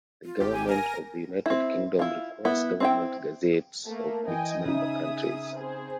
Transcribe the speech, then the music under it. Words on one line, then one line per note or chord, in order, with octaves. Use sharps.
The government of the United Kingdom requires government gazettes of its member countries.
F4
G#1 G4
G#5
A#4 G#5 A#6
C4 E4
E4 F4
B3 E4
C4 E4 G5
A3 A#3
E3 D#5 G5 G#5
C#3 D#4 G#4 E5 D#6
C4 G#4 C5